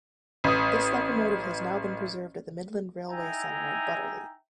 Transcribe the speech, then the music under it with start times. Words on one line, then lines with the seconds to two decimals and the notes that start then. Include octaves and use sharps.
This locomotive has now been preserved at the Midland Railway Centre at Butterley.
0.44 A1 D#6
3.10 D#4 E4 E5 G5 G#5 A#5